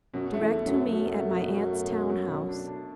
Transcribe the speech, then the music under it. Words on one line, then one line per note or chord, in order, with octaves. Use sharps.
Direct to me at my aunt's town house.
F#2 B2
A3
E2
B2
F#2
A3
F#2 A3
A3
B2
B2
A3
B2
B2
B2
D4
D4